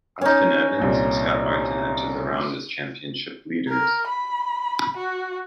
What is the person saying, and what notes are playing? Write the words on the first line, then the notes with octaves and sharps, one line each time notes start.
Elfyn Evans and Scott Martin entered the round as championships leaders.
C#4 D#4
C2 A#2
A#4
B5
F#4